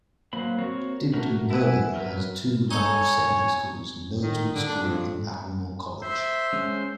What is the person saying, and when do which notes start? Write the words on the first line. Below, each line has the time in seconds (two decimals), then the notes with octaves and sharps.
Dibden Purlieu has two large secondary schools; Noadswood School and Applemore College.
0.33 F#3 A#3 C5 B5
0.59 C4 F#4 A#4 C#5
1.13 A3 F#4 A#4
1.50 E4 E5 F#5 G#5
1.94 F#3 A#4 B4
2.71 D#4 A4 C#5 G#5
4.23 D#3
4.55 D3
4.66 D4
4.83 F2
6.02 C5 E5
6.53 G#3 C#4